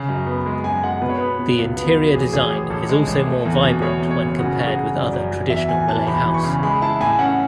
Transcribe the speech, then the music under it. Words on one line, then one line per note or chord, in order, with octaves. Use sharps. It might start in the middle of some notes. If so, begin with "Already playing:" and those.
The interior design is also more vibrant when compared with other traditional Malay house.
Already playing: C#3
F#2
B3
G#3
F#2 G#5
G#3 F#5
B2 B4
C#5
B3 B4
B2
C#2
B3
F#3
A1 G#4
A1 G#4
A1
A1 A4
G#3
A1
A3
E2
B2
A3 C#5
E2
C#5
F#1
C#3 F#4
F#3 F#4
G#4
C#3
F#2 D5
F#2
F#3
E2 E5
E2 G#5
E3 A5
E1 B5
E3
C#6
C#3
G#3 B5
E4 A5
A2 G#5
C#4 F#5